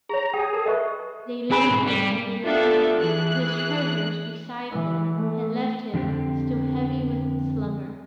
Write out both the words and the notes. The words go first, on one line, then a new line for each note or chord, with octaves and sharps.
They laid him under the tree, put his treasures beside him, and left him, still heavy with slumber.
G#4 C#5 A#5
G4 G#4 G5
A4 A#4
B4 D#5 E5 C#6
C4 G#4 B4 B5
B1 G#2
G3
B3 D4 F4 G4 A4 E5
E3 G#4 F#6
E3
A3
F2 D3 C4 G4